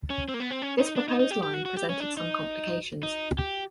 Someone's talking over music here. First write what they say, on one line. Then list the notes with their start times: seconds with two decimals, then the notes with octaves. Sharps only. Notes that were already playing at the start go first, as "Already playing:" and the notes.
This proposed line presented some complications.
0.10 C#4
0.29 C4
0.34 A#3
0.40 B3
0.51 C4
0.62 C#4
0.80 D#4
0.96 D4
1.08 D#4
1.19 D#4
1.31 G4
1.43 G4
1.54 F#4
1.65 F#4
1.77 G4
1.89 C#4
2.00 D4
2.17 D#4
3.03 D#4
3.39 G4